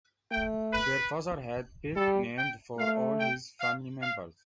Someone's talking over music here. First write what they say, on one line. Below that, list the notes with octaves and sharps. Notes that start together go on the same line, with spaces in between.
Their father had pet names for all his family members.
A3 G5
B4
G3 A4
G5
A3 F5
G5
F5
F5